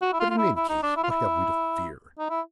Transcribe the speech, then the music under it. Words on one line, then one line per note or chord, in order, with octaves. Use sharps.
But in any case what have we to fear?
F#4
E4
F4
F4
E4
E4
D#4
D4
E4
F4
E4
D#4
E4